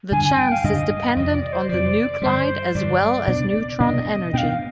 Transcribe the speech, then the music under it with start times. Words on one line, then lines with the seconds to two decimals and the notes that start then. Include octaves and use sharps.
The chance is dependent on the nuclide as well as neutron energy.
0.11 G2 D3 G3 D4 G#5
0.24 G#5
0.38 G5
0.52 F5
0.64 G2 D3 G3 D4 D#5
1.16 F2 C3 F3 D#5
1.34 D5
1.53 C5
1.69 F2 C3 F3 D5
2.22 G2 D3 G3 C5
2.75 G2 D3 G3 D5
3.27 B2 B3 D4
3.80 B2 B3 D4 D#5
4.33 B2 B3 D4 F5 G5